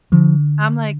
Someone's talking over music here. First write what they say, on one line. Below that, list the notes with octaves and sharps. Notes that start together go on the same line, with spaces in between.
I'm like
D3 F3